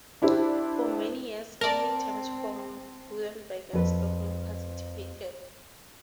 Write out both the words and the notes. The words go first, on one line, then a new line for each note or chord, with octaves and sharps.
For many years only teams from Gothenburg and Stockholm participated.
D4 E4 G4 C5
C4 A#4 D5 A5
F2 B4